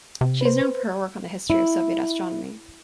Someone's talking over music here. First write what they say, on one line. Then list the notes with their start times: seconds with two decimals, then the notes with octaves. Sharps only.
She is known for her work on the history of Soviet astronomy.
0.21 C3
0.41 B4 C5
1.50 E4